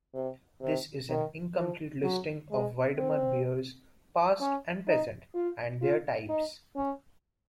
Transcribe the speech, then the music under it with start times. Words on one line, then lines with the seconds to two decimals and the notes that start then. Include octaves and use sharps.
This is an incomplete listing of Widmer beers, past and present, and their types.
0.14 C3
0.62 C3
1.09 D#3
1.56 F3
2.03 F#3
2.51 G#3
2.98 C4
4.40 C#4
4.87 D#4
5.35 F4
5.82 F4
6.29 D#4
6.76 C#4